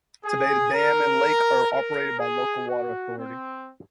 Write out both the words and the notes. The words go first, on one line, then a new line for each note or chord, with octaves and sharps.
Today the dam and lake are operated by a local water authority.
G#4
A#4
A#4
G#4
F#4
C4